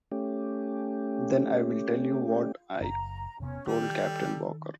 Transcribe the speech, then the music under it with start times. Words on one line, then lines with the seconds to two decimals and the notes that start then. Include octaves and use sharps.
Then I will tell you what I told Captain Walker.
0.11 A3 C#4 G4
2.81 F#1 A#5
3.40 E1 C3 B3 C#4
3.67 D#3 G3 G4 A4